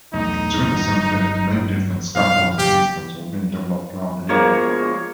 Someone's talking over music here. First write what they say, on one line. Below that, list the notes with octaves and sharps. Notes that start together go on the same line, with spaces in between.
During the same period many different scaffolding systems were being developed around the world.
B1 E2 A3 D#4
G1 F#3
F#2 B2 F3 F5
F#1 G2 G4
B2 F3 G#3 A#3 C#5